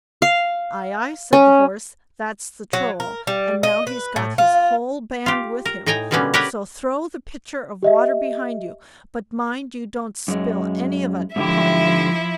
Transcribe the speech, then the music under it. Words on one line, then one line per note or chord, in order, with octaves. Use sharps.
'Aye, aye', said the Horse, 'that's the Troll, and now he's got his whole band with him, so throw the pitcher of water behind you, but mind you don't spill any of it upon me.'
F5
C#4
F#3
A#4
G3
D#5
B4
A2
F4
F4 G4
A#4
A2 D#4 G5 G#5 A#5
B2 D3 G3 A#3 B3 C#4
G4 A#4 B4 C#5 F#5 G5
G4 D#5 E5
F#2 G#3
G#2 D3 F3 E4 G4 E5